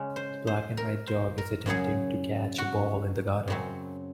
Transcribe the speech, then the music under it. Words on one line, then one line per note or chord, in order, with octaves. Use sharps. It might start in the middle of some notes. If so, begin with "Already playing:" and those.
The black and white dog is attempting to catch a ball in the garden.
Already playing: C#3 G#3 C#4
C5
C5
A#4
C5
A#4
F#2 C#3 F#3 G#4
F#4
F#2 C#3 F#3 C4